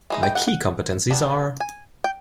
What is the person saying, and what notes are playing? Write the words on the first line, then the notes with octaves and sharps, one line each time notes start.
My key competencies are...
E3 G#3 D#4
G5
F#5
F#5
G3 B3 D4
G#5
G5